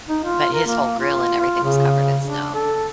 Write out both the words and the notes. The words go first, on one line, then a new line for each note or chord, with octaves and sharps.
But his whole grill and everything was covered in snow.
D#4
F4
A#4
A#3
F4
F4
C#3
D4
A4